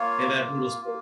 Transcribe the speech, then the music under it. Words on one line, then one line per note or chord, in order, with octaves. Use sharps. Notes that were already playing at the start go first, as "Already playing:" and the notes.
in that brutal sport
Already playing: A#3 F4 C#5
A#3 F4
A#3 F4